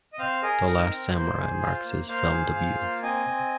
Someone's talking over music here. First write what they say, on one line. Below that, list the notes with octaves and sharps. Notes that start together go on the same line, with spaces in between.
"The Last Samurai" marks his film debut.
D#5
C4 C5 F5
G#4 A#4 D#5
D#4 A#4
C4
A#3 C5
G#4
F4
A#3
A#3 C5 F5
G#4
F4
A#3
C4 D#5 G#5
C4